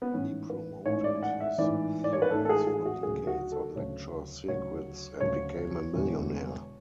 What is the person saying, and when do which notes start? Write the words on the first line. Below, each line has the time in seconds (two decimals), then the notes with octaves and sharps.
He promoted his theories for decades on lecture circuits, and became a millionaire.
0.02 B3
0.13 A1 G#2 E3 C#4
0.50 B4
0.86 A1 G#2 E3 C#5
1.04 D5
1.23 F#5
1.40 E5
1.58 A1 G#2 E3 D5
2.04 D5
2.13 C#5
2.22 B4
2.30 A1 G#2 E3 A4
2.45 A4
2.49 G#4
2.67 G#4
2.85 F#4
3.03 D2 C#3 F#3 G#4
3.27 F#4
3.52 A4
3.76 D2 C#3 F#3 C#5
4.48 D2 C#3 F#3 C#5
5.21 D2 C#3 F#3 C#5
5.94 E1 E2 D3